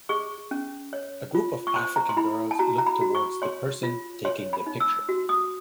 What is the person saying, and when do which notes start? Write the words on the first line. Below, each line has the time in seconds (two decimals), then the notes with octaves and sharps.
A group of African girls look toward the person taking their picture.
0.09 G#4 C#6
0.51 C#4
0.93 C#5
1.35 F4
1.67 C#6
1.76 C5 C6
1.96 A#5
2.09 C6
2.17 E4 B5
2.51 A5
2.59 F#4 A#5
2.78 A#5
2.87 B5
3.01 F#4
3.15 C#6
3.42 C#5 C6
3.83 F4
4.25 C#5 C6
4.53 B5
4.66 D#4
4.80 E6
5.09 F#4
5.29 D#6